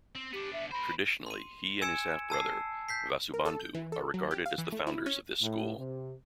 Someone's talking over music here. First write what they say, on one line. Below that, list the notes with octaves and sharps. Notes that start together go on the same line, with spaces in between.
Traditionally, he and his half-brother Vasubandhu are regarded as the founders of this school.
C4
B3 D4 G4
E5
A#4 C5 B5
C6 D#7
G#5 E6 G#6 C#7 D7 E7
A5 E6 C7
G6 B6 C7
A#4
A4
G6
E3
A4
F#3
G4
F5
E3
A3
E4
C#4
A2
C3